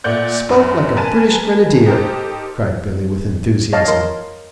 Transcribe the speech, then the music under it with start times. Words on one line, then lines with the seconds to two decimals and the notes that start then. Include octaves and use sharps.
"Spoke like a British Grenadier," cried Billy, with enthusiasm.
0.04 A#2 A3 D5 F#5 G6
0.49 F#2
0.96 A#4 B4 G#5 A5
1.86 D#4 G4 A4 A#4 C5
3.73 C#5 D#5 F5 A5
3.88 A#4 D#5 C6